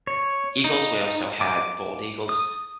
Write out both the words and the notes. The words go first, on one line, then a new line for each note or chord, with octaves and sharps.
eagles, we also had bald eagles
C#5
D#4
D6
D#6